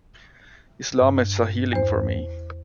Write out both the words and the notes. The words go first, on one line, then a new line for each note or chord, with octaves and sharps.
Islam is a healing for me.
G2
E2 C5